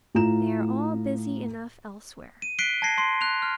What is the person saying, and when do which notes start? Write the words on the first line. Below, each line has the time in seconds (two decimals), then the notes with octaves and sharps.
They are all busy enough elsewhere.
0.15 A2 F4 A#5 E7
2.42 D#7
2.59 F#6 B6 C7 D7 G7
2.82 A5 G#6 A#6 C7
2.98 C6 C7
3.21 F#6 F7
3.42 F6